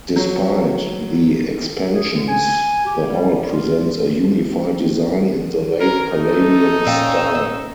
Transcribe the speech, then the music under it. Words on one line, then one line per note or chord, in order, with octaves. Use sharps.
Despite the expansions, the hall presents a unified design in the late Palladian style.
F#3
G#4
D3
G#5
G4
G3
F4
C#4 A#4
A3 D#4 A4
A#2 C#4 D5 F5 G5 E6